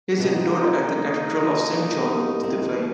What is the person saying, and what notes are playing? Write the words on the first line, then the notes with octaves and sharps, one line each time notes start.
He is interred at the Cathedral of Saint John the Divine.
C3 A#3 B3 D4 D#4 D#5
C2
D#3 C4